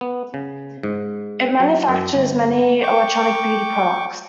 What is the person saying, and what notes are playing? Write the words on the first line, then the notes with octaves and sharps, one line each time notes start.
It manufactures many electronic beauty products.
B3
C#3
G#2
F#3
F#2
G1
G5 C#6 D6